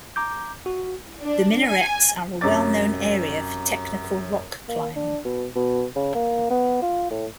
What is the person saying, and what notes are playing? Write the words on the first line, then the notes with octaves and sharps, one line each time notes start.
The Minarets are a well-known area for technical rock climbing.
A#5 D6 G6
F#4
D4
G#5
F#2 C3 C#5 D6 A6
A#3
D4
B2
B2
C#3
A#3
B3
F4
A2